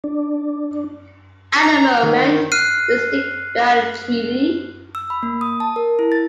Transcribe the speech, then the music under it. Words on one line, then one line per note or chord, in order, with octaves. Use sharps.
At the moment, we stick by our treatie.
D4
A#5
D#3
F6 F#6 C7 D#7
E6
B5
A#3
D#6
A5
A#4
E4
A6